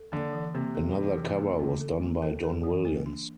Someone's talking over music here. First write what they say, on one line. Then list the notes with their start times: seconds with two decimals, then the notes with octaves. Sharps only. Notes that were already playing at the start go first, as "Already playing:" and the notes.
Another cover was done by Don Williams.
Already playing: A4
0.12 D3 A#3
0.33 E3
0.54 C3 A#3
0.75 A4
0.97 E3
1.17 E3
1.38 A#3
1.59 A#3
1.81 A4
2.01 A#3
2.22 A4
2.43 A4
2.64 E3
2.85 A#3
3.06 D4